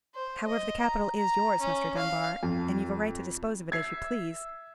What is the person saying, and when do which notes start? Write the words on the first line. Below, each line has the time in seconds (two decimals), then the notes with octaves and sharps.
However, the capital is yours, Mr. Dunbar; and you've a right to dispose of it as you please.
0.14 C5
0.47 D#5
0.80 A#5
1.15 A#5
1.61 C#4
1.97 F5
2.43 F2
3.72 E5 G#6 C7